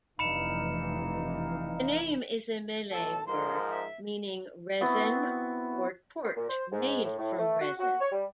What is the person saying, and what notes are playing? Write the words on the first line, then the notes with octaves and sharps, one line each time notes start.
The name is a Malay word meaning 'resin' or 'torch made from resin'.
F1 G2 E3 D#4 F5 B5 C#7 E7
B1 A2 A4 A5
G#2 F3 A#4 C6
E5
B3 C4 E4 F#4
A#2
C5
G#2
A2
A2
A3
F#4
F#4
C#5
G3